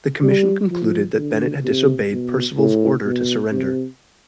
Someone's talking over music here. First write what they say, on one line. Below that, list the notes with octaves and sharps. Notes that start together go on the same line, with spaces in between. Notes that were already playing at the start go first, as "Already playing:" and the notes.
The Commission concluded that Bennett had disobeyed Percival's order to surrender.
G3
F3
D3
C3
B2
A2
B2
C3